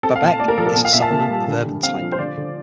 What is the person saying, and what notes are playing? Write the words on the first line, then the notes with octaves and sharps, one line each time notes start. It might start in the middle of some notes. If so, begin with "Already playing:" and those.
Babek is a settlement of urban type.
C4 A4
F5
A#2
A5
A3 D5
A#4
F3 A4
A#4
A#2
F5
A#2 E5
A5
A#3
G3
D3
D3
C4 F5
F3
C5
D3 D5
D3